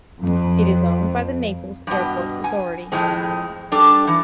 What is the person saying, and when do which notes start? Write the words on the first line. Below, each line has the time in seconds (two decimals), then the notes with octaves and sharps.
It is owned by the Naples Airport Authority.
0.21 F2
1.87 G2 B2
2.44 G#5
2.92 F2 A2 G#3 C4
3.72 G3 D4 A4
4.07 E3